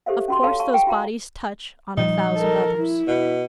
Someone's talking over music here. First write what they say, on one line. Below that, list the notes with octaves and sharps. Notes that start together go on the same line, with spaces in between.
Of course those bodies touch on a thousand others.
G4 A4 C5 E5 F5
C#4 F#4 C6
A4 C#5 F5 A5
F5 A5 C#6
G5
E4 F#4 F5 A#5
A#2 F3 G3 D#4
A4 A#4
E4
B2